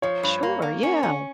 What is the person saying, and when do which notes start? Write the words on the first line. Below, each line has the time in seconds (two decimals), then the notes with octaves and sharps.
Sure, yeah.
0.02 F3 C#5
0.23 G2
0.43 A#3
0.62 A#3
0.83 C#4
1.03 C#4